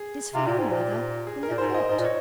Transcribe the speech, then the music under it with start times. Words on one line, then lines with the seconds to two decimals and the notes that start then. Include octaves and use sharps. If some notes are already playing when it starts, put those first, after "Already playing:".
"It is for you, mother--from the Court."
Already playing: G#4
0.34 C3 F4
0.46 A#2 G4
0.59 G#2
0.72 A#2
1.27 G#4
1.43 A#4
1.51 A#2
1.58 G#2 C5
1.74 D#5
1.89 G#2 D#5
1.99 A#2
2.05 C#5